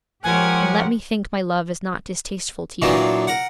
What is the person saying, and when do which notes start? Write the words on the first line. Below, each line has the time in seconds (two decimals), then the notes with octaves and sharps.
And let me think my love is not distasteful to you.
0.24 F3 G#3 G4 A#4 C#5 F#5 G#5
2.82 A#2 E3 F#3 D4 D#4 F4
3.27 A#4 F#5